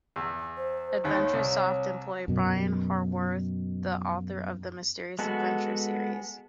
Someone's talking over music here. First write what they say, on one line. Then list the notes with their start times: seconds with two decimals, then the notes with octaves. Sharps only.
Adventure Soft employed Brian Howarth, the author of the "Mysterious Adventures" series.
0.16 E2
0.57 C5
1.04 D#2 D#3 C#5
1.33 C2
2.28 F#2 B2
5.19 G#3 B3 F#4 A4